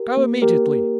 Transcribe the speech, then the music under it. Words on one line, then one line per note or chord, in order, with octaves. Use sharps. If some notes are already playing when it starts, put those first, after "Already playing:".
Go immediately.
Already playing: G4 A#4
A#3
A#3 G4 A#4
A#3